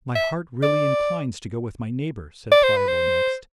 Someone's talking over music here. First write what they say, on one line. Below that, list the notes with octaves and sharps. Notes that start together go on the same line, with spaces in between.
'My heart really inclines to go with my neighbour,' said Pliable next.
E5
D5
D5
C5
B4
C5